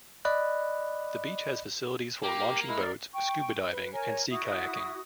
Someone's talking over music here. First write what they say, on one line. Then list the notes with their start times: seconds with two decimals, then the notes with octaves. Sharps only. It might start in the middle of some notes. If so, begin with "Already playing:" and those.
The beach has facilities for launching boats, scuba diving and sea kayaking.
0.25 D5 D#5 B5 F#6
2.23 A#3 G4
2.69 G#3 E4
2.82 A#4 D5
3.13 G5 C#6
3.71 B4
3.93 A#4 C#5 G#5
4.30 E4 F#4 D#6